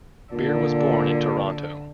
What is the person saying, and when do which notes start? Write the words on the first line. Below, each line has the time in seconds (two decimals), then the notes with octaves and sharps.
Beer was born in Toronto.
0.33 A#2 D3